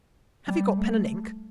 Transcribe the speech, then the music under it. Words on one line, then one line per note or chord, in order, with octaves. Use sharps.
Have you got pen and ink?
G3
A3